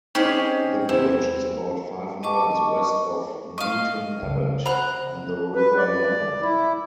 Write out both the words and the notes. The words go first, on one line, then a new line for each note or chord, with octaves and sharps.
The village is about five miles west of Newton Abbot, on the River Lemon.
C4 C#4 D#4 G4 G#4
E2 C4 E4
D#5 A5 C#6 D6
D#5 F5 C#6
C#3
C5 F#5 A#5 B5 F#6
B4
D5
E4